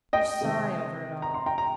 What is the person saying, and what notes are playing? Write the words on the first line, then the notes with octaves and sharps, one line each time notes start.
'You sigh over it all.
D#5 G5
C3 D#3 G#3
A#5
C6
G5 A#5
A#5